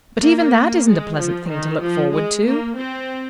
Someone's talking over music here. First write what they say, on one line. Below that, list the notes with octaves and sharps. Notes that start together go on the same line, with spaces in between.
But even that isn't a pleasant thing to look forward to.
A#3
G#3
F3
D#3
F3
G#3
A#3
C4